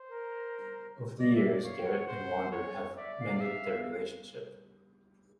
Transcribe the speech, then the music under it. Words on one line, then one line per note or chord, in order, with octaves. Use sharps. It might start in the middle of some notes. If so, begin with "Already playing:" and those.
Over the years, Garrett and Wonder have mended their relationship.
Already playing: C5
A#4
D5 D#5
E5
C#5 F5
G5
F#5
C5
C#5
D5 E5
F5
E5